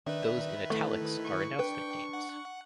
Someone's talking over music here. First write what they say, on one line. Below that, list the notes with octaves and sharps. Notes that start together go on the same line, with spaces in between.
Those in "italics" are announcement names.
D#3 D4 B4 E5
A3 E4
C#6
D4 B4 G5
F#5